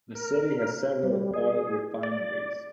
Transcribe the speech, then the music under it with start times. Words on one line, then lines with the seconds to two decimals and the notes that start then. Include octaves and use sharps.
The city has several oil refineries.
0.15 A#4
1.03 G3
1.34 G#4
2.03 D5